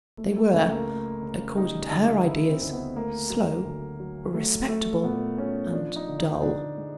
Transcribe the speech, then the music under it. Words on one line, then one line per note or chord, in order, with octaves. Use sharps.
They were, according to her ideas, slow, respectable, and dull.
A3
A3
C#2 A3
A#3
A3
C#3
G3 D#4
D2 D#4
D2 E4
C4
D2
B3
A3 A#3
F#3
D2
F#3
F#3 A3
A3
A#2 B3
A#2 C#4
F3 D4
D#4
D3
D#4
D3 D4
G#3